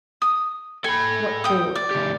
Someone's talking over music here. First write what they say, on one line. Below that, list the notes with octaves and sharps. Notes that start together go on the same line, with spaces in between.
What for?
D#6
A4 G#5 B5
G5 D#6
D5
D2 G4